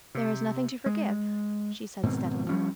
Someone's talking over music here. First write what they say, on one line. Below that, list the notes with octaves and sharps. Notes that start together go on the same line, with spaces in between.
"There is nothing to forgive," she said steadily.
C3
G#3
G#2 B2 D#3 C4
F3 G3 C#4